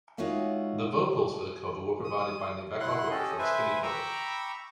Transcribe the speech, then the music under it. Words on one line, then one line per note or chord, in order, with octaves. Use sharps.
The vocals for the cover were provided by Nivek Ogre from Skinny Puppy.
G#3 D#4 F4 F#4 C#5 E5
D#6
E4 F#5 C6 F#6
C#4 G4 A4 D#5
B4 C5 E5 G#5
G5 A#5 B5 C#6 D6 E6